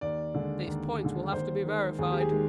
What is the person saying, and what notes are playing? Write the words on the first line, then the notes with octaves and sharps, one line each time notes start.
"These points will have to be verified."
D#2 D5
D3 G#3
D#2
D3 G#3
D#2 C5
D#3 G#3
D#2 G#4
G4
G#4
D#3 G#3